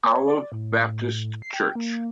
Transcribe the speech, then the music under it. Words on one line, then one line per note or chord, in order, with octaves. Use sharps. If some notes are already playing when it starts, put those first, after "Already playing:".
Olive Baptist church.
C#5
D5
A2
C7
G5
A#3